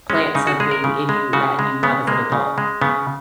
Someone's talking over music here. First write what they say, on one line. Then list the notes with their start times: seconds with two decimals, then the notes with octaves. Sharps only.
plant something in you that you love as an adult.
0.10 G#3 C#4
0.35 C#3 D#4
0.47 F#4
0.60 G#3 G#4
0.71 A#4
0.84 C#3
1.09 G#3
1.33 C#3 F#4
1.59 G#3
1.83 C#3 B3
2.07 G#3 A#3
2.32 C#3
2.58 G#3
2.82 C#3 B3